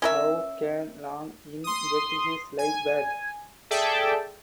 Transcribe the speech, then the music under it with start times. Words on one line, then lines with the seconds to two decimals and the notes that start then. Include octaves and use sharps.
How can Long Ying get his life back?
0.02 C#4 A#4 E5
1.64 C6 D#6
2.58 G#5
3.70 G#4 A4 D5 E5 G5 A5